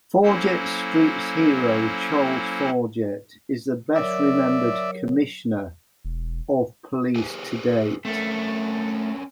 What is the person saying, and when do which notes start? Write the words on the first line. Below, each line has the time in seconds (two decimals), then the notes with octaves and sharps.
Forjett Street's Hero Charles Forjett is the best-remembered commissioner of police to date.
0.23 F#3 A#3 C#4 E4 A4 C5
3.96 F#3 A#4 C#5 D5 E5
6.05 E1
7.16 G4 G#4 B4
8.05 A3 C4 C#4 A#4